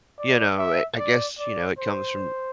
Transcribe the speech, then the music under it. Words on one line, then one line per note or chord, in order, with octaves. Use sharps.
you know, eh, I guess, you know, it comes from
D5
E5
D5
D5
C5